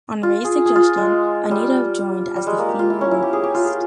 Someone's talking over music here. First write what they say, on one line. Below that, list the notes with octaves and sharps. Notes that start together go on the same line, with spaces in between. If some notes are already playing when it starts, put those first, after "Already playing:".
On Ray's suggestion, Anita joined as the female vocalist.
F4
G#4
G#4
F4
G#3
G3
G3
G#3
A#3
G4
F4
E4
C#4
E4
G4
G#4
G4
F4
G#4